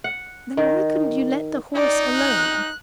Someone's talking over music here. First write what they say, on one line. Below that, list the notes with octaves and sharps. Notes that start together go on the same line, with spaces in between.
"Then why couldn't you let the horse alone?"
F#5
D#3
D#4 D5
F#6